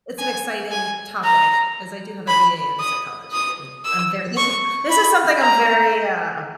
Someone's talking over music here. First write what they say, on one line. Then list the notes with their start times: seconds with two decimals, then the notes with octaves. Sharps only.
it's an exciting topic as I do have a BA in psychology, and I'm very this is this is something I'm very, um
0.19 G#5
0.71 G#5
1.23 A#5
2.27 B5
2.80 D#6
3.33 D#6
3.85 E6
4.37 C#6
4.90 B5
5.41 A#5